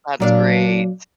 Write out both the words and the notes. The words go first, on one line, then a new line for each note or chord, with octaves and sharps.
That's great.
A#2 F#3 D4 F5